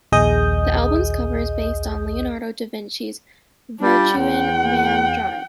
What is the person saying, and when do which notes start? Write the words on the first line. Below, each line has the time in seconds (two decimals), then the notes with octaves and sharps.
The album's cover art is based on Leonardo da Vinci's "Vitruvian Man" drawing.
0.12 A#1 D#2 G#4 D#5 D#6 G6
3.80 G3 D4 F4
4.17 E2 F#5 G5